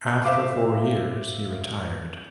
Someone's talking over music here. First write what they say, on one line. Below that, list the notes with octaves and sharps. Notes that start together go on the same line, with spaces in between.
After four years, he retired.
C5 E5 F5 D6